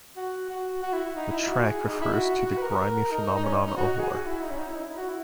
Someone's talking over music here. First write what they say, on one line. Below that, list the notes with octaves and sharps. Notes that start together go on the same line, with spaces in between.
The track refers to the grimy phenomenon of war.
F#4
F#4
F#4
E4
D#4
E4
F#4
G#4
D#4
E4
F#4
F#4
B4
A#4
D#4
D#4
C#4
D#4
F#4
G#4
F#4
E4
D#4
C#4
D#4
E4
F#4
E4